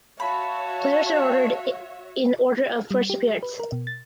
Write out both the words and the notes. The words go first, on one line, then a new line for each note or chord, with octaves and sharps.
Players are ordered in order of first appearance.
F#4 C#5 E5 F5 A5 B5
G3
G4
B4
A#4
B2
A6